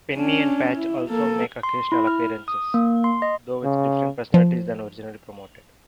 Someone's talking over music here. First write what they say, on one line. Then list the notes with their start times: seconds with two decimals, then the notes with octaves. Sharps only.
Penny and Patch also make occasional appearances, though with different personalities than originally promoted.
0.14 C#4 D4
0.76 E4
1.09 A#3 A4
1.63 C6
1.92 E4
2.07 F6
2.48 D#6
2.74 A#3
3.04 C6
3.22 D#5
3.63 C#3
4.34 F3